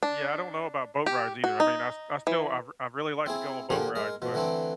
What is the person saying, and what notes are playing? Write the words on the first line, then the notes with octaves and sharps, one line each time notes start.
Yeah, I don't know about boat rides either. I mean, I st I stilI I've I've really like to go on boat rides, but,
D4
G4
F#4
D#4
E3
C4 E4 G#4
A#2 D3 F3 A#3 G4 G#4
G#3 A#4
B2 F3
D3 E3 A3 C4 D4